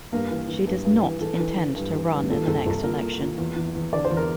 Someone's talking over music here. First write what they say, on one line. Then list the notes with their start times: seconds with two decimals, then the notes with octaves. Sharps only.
She does not intend to run in the next election.
0.12 G2 A#3
0.31 E3
0.48 E3
0.67 G2
0.85 G2
1.03 E3
1.20 E3 A4
1.40 E3
1.57 E3
1.76 G2
1.93 E3
2.12 G2
2.29 A#2 A4
2.47 C2 A4
2.66 C2 A4
2.84 A#2 A#4
3.02 A#2
3.20 A#2
3.38 E2
3.56 E2
3.75 E2
3.93 D3 D5
4.05 C5
4.10 E2
4.17 A#4